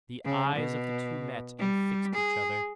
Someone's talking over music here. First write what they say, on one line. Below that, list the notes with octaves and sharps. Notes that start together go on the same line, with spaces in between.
The eyes of the two met and fixed each other.
C#3
B2
G3
G#4